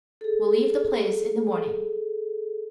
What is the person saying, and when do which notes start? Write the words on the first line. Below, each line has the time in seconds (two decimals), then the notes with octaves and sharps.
We'll leave the place in the morning.
0.21 G#4 A4